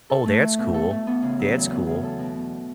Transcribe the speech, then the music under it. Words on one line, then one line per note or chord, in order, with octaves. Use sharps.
Oh, that's cool that's cool.
A4
A3
E4
B2
A4
A3
B3
C#3
F#3
E2
B3
C#3
A4
B2
B3